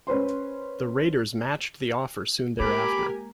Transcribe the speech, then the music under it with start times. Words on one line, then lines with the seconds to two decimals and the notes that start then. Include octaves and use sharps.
The Raiders matched the offer soon thereafter.
0.07 C#4 B4 C5 C6
2.60 G#3 A#3 G4 A#4 G#5 B5 D6